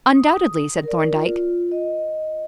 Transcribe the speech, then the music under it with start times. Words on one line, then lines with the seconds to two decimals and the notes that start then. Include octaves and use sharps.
"Undoubtedly," said Thorndyke.
0.14 D#6
0.84 A#4 D5
1.14 F4
1.72 D#5